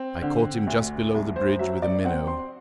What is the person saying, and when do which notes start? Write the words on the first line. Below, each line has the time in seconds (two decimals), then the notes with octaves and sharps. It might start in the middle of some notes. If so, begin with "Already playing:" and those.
I caught him just below the bridge with a minnow.
Already playing: C4
0.22 D3
0.67 D2
1.14 C2
1.36 C5
1.59 F#3 E5
1.82 D5
2.04 C4 F#5
2.27 C6